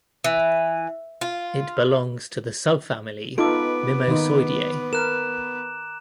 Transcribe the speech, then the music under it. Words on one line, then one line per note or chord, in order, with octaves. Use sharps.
It belongs to the subfamily Mimosoideae.
E3
F4
B3 D#4 F4 A4 B4 D6 D7
D#3 D#4
A#4 A#5 F#6 E7